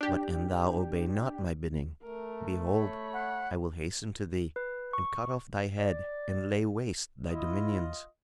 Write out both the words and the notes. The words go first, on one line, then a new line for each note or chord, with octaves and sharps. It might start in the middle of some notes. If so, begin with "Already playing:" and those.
But an thou obey not my bidding, behold, I will hasten to thee and cut off thy head and lay waste thy dominions.
D4 G4
A3 A#4
C#5 B5
F#5
B4
C#6
D5
E4 F4 D#5